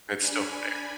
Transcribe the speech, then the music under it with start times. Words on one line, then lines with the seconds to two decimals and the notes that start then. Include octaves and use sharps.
It's still there.
0.15 D4 G#5 B5